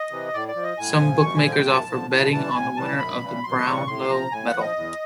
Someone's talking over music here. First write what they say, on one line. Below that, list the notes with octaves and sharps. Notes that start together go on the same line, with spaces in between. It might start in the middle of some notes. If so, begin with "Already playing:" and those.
Some bookmakers offer betting on the winner of the Brownlow Medal.
Already playing: D#5
C3 E3
A2 D5
D5
F3
D#5
A2 G#5
F3
F#2 C#6
G#5
D3 F3
G5
F#2 A5
D3 F3
A2 A5
E3 G3 A5
A2 G#5
E3 G3 A5
F#2 B5
C#3 E3 G3
F#2 C6
C#3 E3 G3 C#6
A2 C6
F3 A#5
A2 G#5
F#5
F3
D#5
E2